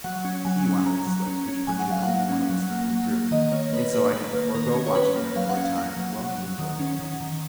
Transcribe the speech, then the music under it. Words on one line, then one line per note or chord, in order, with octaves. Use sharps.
He wanted the slit, which permitted only one of us to peep through; and so I had to forego watching them for a time while he enjoyed that privilege.
F#3 F#5
C#4
F#3 G#5
C#4
C#4 A#5
F#3
C#4
C#4
F#3 G#5
F#5
F#3 F5
F#5
A#3
C#4
F#3
A#3
F#3
A#3
D#3 D#5
A#3 C#5
A#3 B4
A#3 B4
D#3 B4
A#3
D#3 A#4
C#4
C#5
C#4 B4
A#3
F#3 F5
F#5
C#4
F5
A#3 F#5
F#3
F#3
F#3
D#3
C#4
D#3
D#3